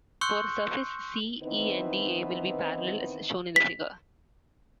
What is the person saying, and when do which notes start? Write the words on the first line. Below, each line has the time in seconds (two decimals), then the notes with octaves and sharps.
For surface c, E and dA will be parallel, as shown in the figure.
0.21 C6 C#6 E6 F#6 G6 C#7
1.42 D#3 E3 B3 C4 D#4 B4
3.56 B6